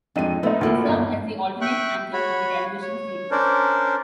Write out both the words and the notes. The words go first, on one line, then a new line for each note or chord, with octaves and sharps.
It served as the alternate anthem of the television series.
F2 G#3 D4 D#4 D#7
A3 B3 C4 D#4 E4
D2 A#3 E4 F4
G1 A#5
G#1
E5 G5 C#6 F#6
F#4 C#5 B5
C#5
C#4 D4 A#4 C5 D5